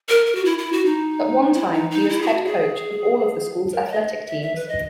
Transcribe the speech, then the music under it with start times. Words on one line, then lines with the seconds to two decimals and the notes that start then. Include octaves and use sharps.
At one time, he was head coach of all of the school's athletic teams.
0.09 A#4
0.26 A#4
0.35 F#4
0.45 E4
0.58 E4
0.72 F#4
0.86 D#4
1.54 E4
1.73 D#4
1.91 D#4
2.09 E4
2.22 G#4
2.27 F#4
2.46 G#4
3.73 A#4
3.87 C#5
3.91 D#5
4.27 E5
4.42 E5
4.56 B4
4.69 D#5